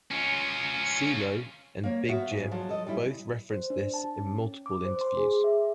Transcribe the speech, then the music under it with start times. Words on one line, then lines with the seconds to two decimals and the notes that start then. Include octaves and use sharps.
Cee-Lo and Big Gipp both referenced this in multiple interviews.
0.11 C#4 F4
1.83 A#3 C#5 F5
2.09 B3 F#4 E5 F5
2.31 G#2
2.51 F3 F#3 A4
2.69 A4 D#5
2.87 G3 C#4 E4
3.52 C5
3.70 D4
3.94 A5
4.18 C#4
4.66 D6
4.85 C5
5.01 C6
5.17 G#4
5.44 E5